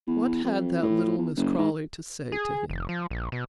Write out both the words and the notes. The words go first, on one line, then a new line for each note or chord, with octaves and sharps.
What had that little Mrs. Crawley to say to him?
E2
F2
A2
E2
F#1
G#2
G#4
F1
F3
A#1
B2